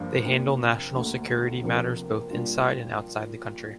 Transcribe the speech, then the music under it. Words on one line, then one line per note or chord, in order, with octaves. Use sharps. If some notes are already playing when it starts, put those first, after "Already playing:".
They handle national security matters both inside and outside the country.
Already playing: G2 F3 A#3 D4
C3 A#3 D4
D2 D3 A#3
C3 F3 D4 A#4
A#2 G3 D4 F4